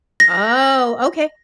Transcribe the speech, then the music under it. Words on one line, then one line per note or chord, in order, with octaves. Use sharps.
Oh, okay.
A#6